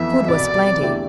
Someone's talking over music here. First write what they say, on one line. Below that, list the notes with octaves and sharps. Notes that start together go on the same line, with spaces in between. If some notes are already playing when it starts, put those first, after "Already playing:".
Food was plenty.
Already playing: F2 E3 B3 E4 E5
C2 B2 B3 D5
E2 D3 A3 E4 G4